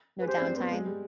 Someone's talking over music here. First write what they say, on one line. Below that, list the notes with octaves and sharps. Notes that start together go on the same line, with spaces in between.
No downtime?
B4
G#4
G4 C5
D4
C4
B3
G#3
G3